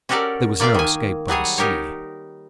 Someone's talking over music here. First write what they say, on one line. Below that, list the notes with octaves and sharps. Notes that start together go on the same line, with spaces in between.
There was no escape by sea.
C#4 F#4 G4 A4 A#4 D5
A#3 F4 D5 E5 F5 G5
D#3 G#5
F#3 G3 G#4 C#5
D#4 G4 A#4 C#5